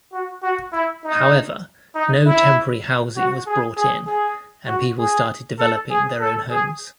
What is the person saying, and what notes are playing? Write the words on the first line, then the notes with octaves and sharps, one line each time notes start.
However, no temporary housing was brought in, and people started developing their own homes.
F#4
F#4
E4
D#4
D#4
E4
F#4
G#4
G#4
G#4
F#4
G#4
A4
G#4
A4
G#4